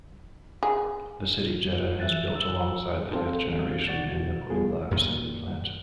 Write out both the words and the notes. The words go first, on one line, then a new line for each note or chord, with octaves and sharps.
The City Jetta is built alongside the fifth generation in the Puebla Assembly Plant.
G#4
E3 E5 F#6 A6
E6
C4 A4 F5
C#2 B2 F#4 D5 A6
G3 A3 B3 F4 G#4
F#2 A#2 D#3 F3